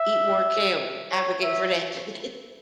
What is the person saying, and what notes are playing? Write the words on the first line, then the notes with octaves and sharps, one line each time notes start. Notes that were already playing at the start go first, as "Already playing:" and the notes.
Eat more kale, advocate for that.
Already playing: E5
C#5
E5